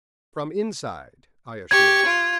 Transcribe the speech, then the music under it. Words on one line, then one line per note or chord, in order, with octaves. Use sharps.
"From inside," I assured her.
G4 C#6 G#6
F4